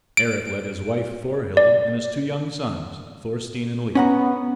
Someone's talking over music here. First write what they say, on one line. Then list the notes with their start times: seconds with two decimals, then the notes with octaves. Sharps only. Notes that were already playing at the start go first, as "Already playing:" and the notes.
Eric led his wife Thorhild and his two young sons, Thorstein and Leif.
0.17 D7
1.57 D5
3.95 B3 C#4 F#5 A#5